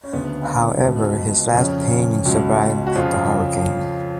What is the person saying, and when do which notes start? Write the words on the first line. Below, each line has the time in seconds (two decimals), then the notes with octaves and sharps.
However, his last painting survived the hurricane.
0.04 C#4
0.13 D2 C#3 B3
0.84 C#2 B2
1.54 F2 C#3 C#4
2.25 C#2 B2
2.87 F#4
2.95 F2 C#3 F3 F4